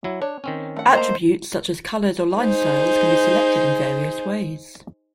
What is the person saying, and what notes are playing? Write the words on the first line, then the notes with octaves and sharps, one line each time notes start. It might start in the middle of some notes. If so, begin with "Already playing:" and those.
Attributes such as colors or line styles can be selected in various ways.
F#3 E4
D4 C#5
D#3 C4 C#4
A3 F#5
A3 A#3 C5 D#5 A#5
D#4 G#4 C5